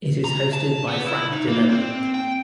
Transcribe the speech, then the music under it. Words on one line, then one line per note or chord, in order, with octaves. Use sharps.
It is hosted by Frank DiLella.
A#5
A5
B3
E4
D#4
A#3
C4
G5